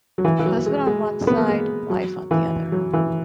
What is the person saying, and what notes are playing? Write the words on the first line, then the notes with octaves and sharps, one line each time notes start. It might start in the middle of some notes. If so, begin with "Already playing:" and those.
Husband on one side, wife on the other.
F#3
E3
E3
F#3
G#3
G#3
B3
A#3
G#3
F#3
E3
F#3
E3